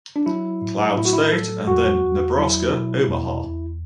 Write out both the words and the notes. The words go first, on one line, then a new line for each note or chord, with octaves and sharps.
Cloud State and then Nebraska–Omaha.
D4
F#3 E4
A2
A2 E4
F#4
E4
F#3 A4
E2 F#4
E2
F#3 E4
B2
E2
E2